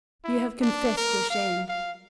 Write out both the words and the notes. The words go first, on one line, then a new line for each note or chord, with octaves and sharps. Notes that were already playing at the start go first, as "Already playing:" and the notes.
You have confessed your shame.
E4
D4
A#4
F5
F5